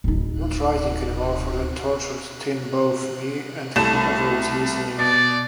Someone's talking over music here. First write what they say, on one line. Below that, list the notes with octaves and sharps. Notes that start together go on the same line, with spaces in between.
I'm not writing anymore for the tortured teen-both me and whoever was listening.
D1 D#4
C2 A3 E7
B2 D5